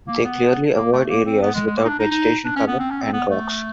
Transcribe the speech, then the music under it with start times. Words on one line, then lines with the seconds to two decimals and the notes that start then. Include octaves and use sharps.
They clearly avoid areas without vegetation cover and rocks.
0.08 A#3
0.24 B3
0.76 A#3
0.92 A3
1.09 A#3
1.26 C4
1.43 B3
1.55 G#3
1.67 G#3
1.77 A#3
1.84 D#4
1.89 D4
1.99 D#4
2.11 D#4
2.45 D4
2.56 C#4
2.68 B3
2.80 C4
2.91 C#4
3.02 C4
3.13 B3
3.31 A3